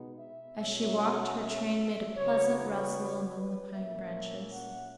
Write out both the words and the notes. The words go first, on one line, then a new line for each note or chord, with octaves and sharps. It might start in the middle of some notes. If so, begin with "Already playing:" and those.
As she walked, her train made a pleasant rustle among the pine branches.
Already playing: B2 G#3 B3 D#4
E5
B2 F#3 C#4 E5
F#5
E5
C#3 F#3 B3 C#5
C#5
B4
A#2 A#3 C#4 E5
F#5